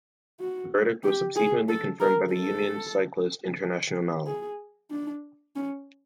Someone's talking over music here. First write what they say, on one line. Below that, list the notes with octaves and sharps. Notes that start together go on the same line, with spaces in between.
The verdict was subsequently confirmed by the Union Cycliste Internationale.
F#4
G4
G#4
A4
A#4
A4
G#4
D4
C#4